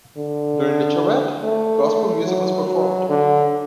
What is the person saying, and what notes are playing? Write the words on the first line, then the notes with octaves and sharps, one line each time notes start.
During the charrette, gospel music was performed.
D3
A3
A3
F#3
F#3
D3